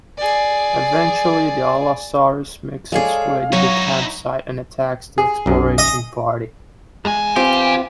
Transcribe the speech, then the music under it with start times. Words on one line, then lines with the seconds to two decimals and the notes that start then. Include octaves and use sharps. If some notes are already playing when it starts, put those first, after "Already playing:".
Eventually, the "Allosaurus" makes its way to the campsite and attacks the exploration party.
0.18 G#4 D5
2.92 G#3 G#4 A4 C#5 D5 F5
3.53 F#3 D#4 E4 C#5
5.18 G#4
5.46 B1 F#2
5.78 D#5
7.05 E2 G#3 G#5
7.36 C4 F4 G4 B4